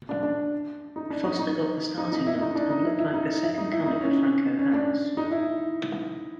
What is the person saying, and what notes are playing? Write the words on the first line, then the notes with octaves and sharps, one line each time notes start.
Foster got the starting nod and looked like the second coming of Franco Harris.
D4
D4
D#4
D4
D#4
D#4
D#4
D#4
E4
D#4
D4
D#4
E4
E4
D#4
E4
D#4
E4
D#4
C#4
C#4
D4
D#4
E4